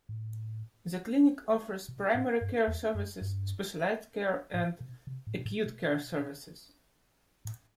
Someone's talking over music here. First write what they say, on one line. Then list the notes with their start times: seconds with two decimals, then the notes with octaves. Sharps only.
The clinic offers primary care services, specialized care, and acute care services.
0.09 A2
1.88 B2
2.15 A2
2.41 G2
2.67 E2
2.95 F#2
3.21 G2
4.54 A2
4.80 B2
5.07 C3
5.27 A2
5.39 B2
5.45 A2
5.66 B2
7.45 A2